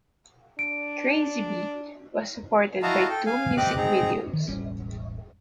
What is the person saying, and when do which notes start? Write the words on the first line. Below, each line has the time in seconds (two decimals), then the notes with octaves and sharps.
"Crazy Beat" was supported by two music videos.
0.59 D4 D7
2.83 E4 F#4 D#5 F5 A5 A#5
3.10 A4 G5
3.26 F5 G#5
3.57 C4 G4 D#5 D6 F#6
3.77 C4 D#4 G#4 A#5
4.33 D#3
4.47 E1 A1 G3 C#4